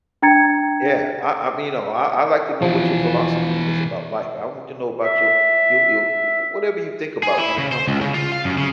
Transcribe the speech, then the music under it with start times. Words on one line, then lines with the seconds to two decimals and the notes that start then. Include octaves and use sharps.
Yeah, I I mean, y'know, I I like to know what your philosophy is about life, I want to know about you you you, w whatever you think about when it comes to
0.22 D4 G5 A#5 G#6 A6 C#7
2.62 B2 E3 F3
5.04 E5
7.23 G#4
7.38 E4
7.58 C#3
7.72 C5
7.88 C#2
8.01 C#3
8.14 F4
8.32 F5
8.45 F#2
8.58 C#3